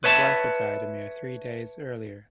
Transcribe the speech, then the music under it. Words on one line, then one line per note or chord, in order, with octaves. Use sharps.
His wife had died a mere three days earlier.
B4 C#5 E5 A5